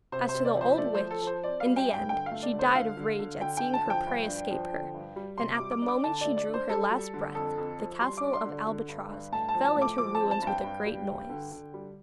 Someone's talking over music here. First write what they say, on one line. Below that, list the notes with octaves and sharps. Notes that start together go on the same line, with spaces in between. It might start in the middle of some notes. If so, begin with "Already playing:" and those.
As to the old witch, in the end she died of rage at seeing her prey escape her; and at the moment she drew her last breath the castle of Albatroz fell into ruins with a great noise.
C3 C5
C5
C3
D5
F3 C5
A3 D5
C5
F3
A4
F3
C5
C4 D5
F5
G3
G5
G2
G5
D3 G5
F5
A3
D5
D3
C5
D3 F5
D3
D3
D3 G5
G5
D3
A5
F3 G5
G2
D4
F3
D3
G2
G3
C3 C6
D6
G3
D6
D4
D6
D3 A5
A3 D5
D5
D4
C5
G3 A4
G3
D3
F2 A4
F2
F3
G3 C6
D6
D4
C6
D3
D3
G2
G2
A2 A5
A5
F3
A5
A2
D6
F3 D6
A5
C4
A5
G2
G5
G2
G3
G2
D3
D3
G3